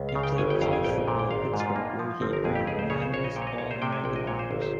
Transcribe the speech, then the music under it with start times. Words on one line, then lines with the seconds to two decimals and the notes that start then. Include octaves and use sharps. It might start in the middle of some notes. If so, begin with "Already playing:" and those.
He played college football at Pittsburgh, where he earned unanimous All-American honors.
Already playing: C#2
0.09 F5
0.15 C#3
0.23 G5
0.38 G1 G#5
0.50 G5
0.61 F2 F5
0.73 G#5
0.84 A#1 G5
1.08 A#2
1.19 G5
1.30 G#1 F5
1.54 G#2
1.60 F4
1.76 G2 A#3
1.99 F3
2.21 G1 C4
2.33 A#4
2.44 F2 G#4
2.55 G4
2.67 C#2 G#4
2.79 C5
2.90 C#3 C#5
3.02 C5
3.12 A#1 C#5
3.24 D#5
3.36 A#2 G5
3.42 C#5
3.47 D#5
3.58 C2 C#5
3.71 C5
3.82 C3 G5
3.92 G#5
4.04 A#1 G5
4.16 D#5
4.27 A#2 C#5
4.39 C5
4.51 G1
4.62 C5